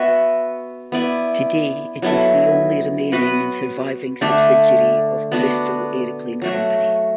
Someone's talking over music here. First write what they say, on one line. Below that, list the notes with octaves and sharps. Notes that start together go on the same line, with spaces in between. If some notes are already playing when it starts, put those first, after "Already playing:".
Today it is the only remaining and surviving subsidiary of Bristol Aeroplane Company.
Already playing: B3 F#4 B4 E5
B3 E4 D5
F#3 B3 E4 A4
B3 F#4 B4
D3 A3 D4
B3 D4 F#4
F#3 A3 F#4